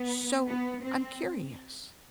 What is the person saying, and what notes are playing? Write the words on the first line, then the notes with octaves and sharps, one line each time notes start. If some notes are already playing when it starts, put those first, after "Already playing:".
So, I'm curious,
Already playing: B3
B3
C4